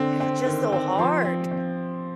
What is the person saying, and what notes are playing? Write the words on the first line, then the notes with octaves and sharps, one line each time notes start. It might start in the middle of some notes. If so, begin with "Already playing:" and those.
They're just so hard.
Already playing: D3 C4
C4
D#3
C4
F3 C6
C4
C4